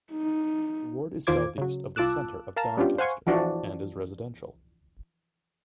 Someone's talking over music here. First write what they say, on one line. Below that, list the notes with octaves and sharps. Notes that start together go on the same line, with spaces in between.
The ward is to the southeast of the centre of Doncaster and is residential.
D#4
E2 D#3 F4 C5 D6 G#6
C#3 F#3
C2 F4 A5 D6 E6 F#6
A#4 F5 A5 A#5
G3 B3 C#4 D4 F4 G4
C5 F5 F#5 G#5 C6 C#6
E3 F3 D4 F#4